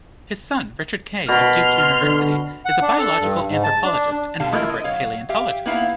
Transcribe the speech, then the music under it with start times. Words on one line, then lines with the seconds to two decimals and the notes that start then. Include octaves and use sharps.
His son Richard Kay of Duke University is a biological anthropologist and vertebrate paleontologist.
1.28 B2 B5 C6 F6
2.02 D3
2.66 F#5
2.82 D4
2.99 A4
3.21 G2
3.49 G#2
3.64 A5
3.84 D4
4.40 B2 D3 G3 G4 F5 A5
4.52 E3 A3 E4 F4 A#4 D#5
4.69 D3 D#5
4.84 F#3 C#5 F5
5.29 G4 E5 F5 G5
5.66 A#3 B3 D#4 E4 E5 F5